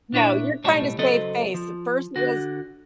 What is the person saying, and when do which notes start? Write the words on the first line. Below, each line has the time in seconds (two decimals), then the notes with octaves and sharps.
No, you're trying to save face. First it was,
0.13 A#2 D4 E4 C#5
0.64 B1 A2 G3 C#5 D#5 A5
0.98 C#3 F#3 C4 A4 B4 D#5
1.54 F3
2.16 D3 F#4